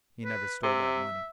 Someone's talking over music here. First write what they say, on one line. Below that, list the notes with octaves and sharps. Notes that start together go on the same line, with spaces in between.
He never stole that money.
B4
C3 E5